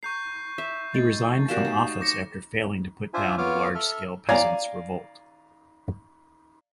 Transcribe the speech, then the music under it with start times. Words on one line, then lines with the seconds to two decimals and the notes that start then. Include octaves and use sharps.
He resigned from office after failing to put down the large-scale peasants' revolt.
0.03 A#5 C#6 G6 C7
0.58 E5
0.94 F#2 A3 D#5 A6
1.48 D#2 F#4 G4 A#4 D5 F5 E7
1.65 A3 D#4 C#5 G5
2.01 D6 A#6 C#7
3.14 D4 F4 C5 E5 G#5
3.38 B3 F4 C#5 D6 F6
3.75 A4 E5 F6
4.29 D5 F5 G#5 A#5